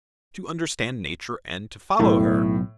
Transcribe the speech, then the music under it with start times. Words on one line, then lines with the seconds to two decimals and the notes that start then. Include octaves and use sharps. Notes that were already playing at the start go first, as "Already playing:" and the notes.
To understand Nature, and to follow her!
1.99 B1 A2